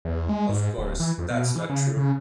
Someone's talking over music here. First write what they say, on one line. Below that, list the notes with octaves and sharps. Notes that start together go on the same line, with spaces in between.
Of course that's not true.
E2
G#3
G#2
D1
E3
F2
B2
E3
C#3
C#3